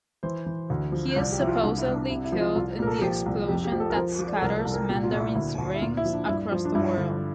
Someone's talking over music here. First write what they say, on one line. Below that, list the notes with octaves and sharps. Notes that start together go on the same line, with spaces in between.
He is supposedly killed in the explosion that scatters Mandarin's rings across the world.
E3 C5
E3
D2
F3
C2 D5
G4
F3 E4
F4
C2 D4
E4
C2
D4
C3 E4
E4
F3
F4
C2 F4
A#2 A#4
A4
F3 G4
C2
F2 G4
G4
F3
A4
A#4
F3 C5
F3
D5
A4
C2 A#4
A4
C2
A#4
A#2 G4
F4
A#2
E4
D2 E4
D2
E4
A#2 F4
E4
F3
D4
G2 E4
F3 F4
D4
G2 E4
D3